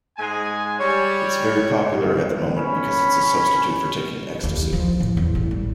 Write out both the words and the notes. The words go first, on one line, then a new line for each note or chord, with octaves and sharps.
It's very popular at the moment because it's a substitute for taking ecstasy.
G#2 G#3 G#5
G3 C#5 C#6
C#4 B5
D#2
D#3
F3
A1
E2
A1
G3